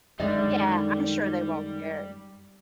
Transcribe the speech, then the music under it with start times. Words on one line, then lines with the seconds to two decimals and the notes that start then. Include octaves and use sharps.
Yeah, I'm sure they won't care,
0.20 F#2 D3 D#3 G3 G#3 D5 D#5